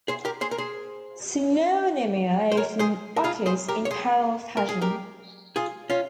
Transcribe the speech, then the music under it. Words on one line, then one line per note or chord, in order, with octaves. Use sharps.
Synonymia often occurs in parallel fashion.
G#4 C5
G4 A#4
G#4 C5
A#4
G#4 C5
C5
A#4 C#5
G#4 C5
A#4
F4 G#4
G#4 C5
G4 A#4
C#5
G#4 C5
A#4
G#4
G4 A#4
F4 G#4
C#4 F4